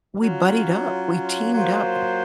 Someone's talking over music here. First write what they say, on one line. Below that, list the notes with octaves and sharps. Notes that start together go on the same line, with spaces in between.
we buddied up, we teamed up.
F#3 C#4 F4
F#3 A#3 F4 C5